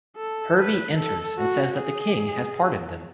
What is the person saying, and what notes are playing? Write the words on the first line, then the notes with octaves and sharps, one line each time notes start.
Hervey enters and says that the king has pardoned them.
A4
B4
A4
F#4
G#4